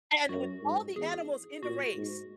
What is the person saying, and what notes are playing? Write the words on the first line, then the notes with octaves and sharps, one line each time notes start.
and with all the animals in the race,
F#2 F#4
G#2
E2 G#4
A#2 F#4
G#2